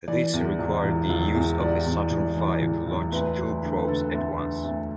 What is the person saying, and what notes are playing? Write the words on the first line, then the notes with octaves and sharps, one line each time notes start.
This required the use of a Saturn Five to launch two probes at once.
E3 D5
E2
E1
E1
E1
E2
E1 D5
E2
E1
E3
E1
E1
D2 B4
F#3
D3
B4
D3 A4
D2
D3
D2